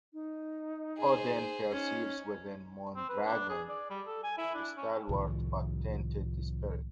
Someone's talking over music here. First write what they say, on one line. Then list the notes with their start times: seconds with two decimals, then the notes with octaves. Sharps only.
Odin perceives within Moondragon a stalwart but tainted spirit.
0.13 D#4
0.98 G#4 C5
1.71 C#4 D#4
2.96 C4
3.09 B4
3.26 D4
3.49 G#4
3.69 D5
3.91 G3
4.07 A4
4.24 G#5
4.38 E4
4.55 D4
4.77 C#4
5.09 C2 A2 D#3 F3